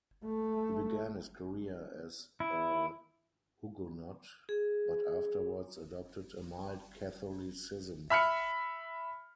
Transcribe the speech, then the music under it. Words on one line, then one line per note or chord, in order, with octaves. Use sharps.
He began his career as a Huguenot, but afterwards adopted a mild Catholicism.
A3
E4
G#4
E5 B5 F6 C#7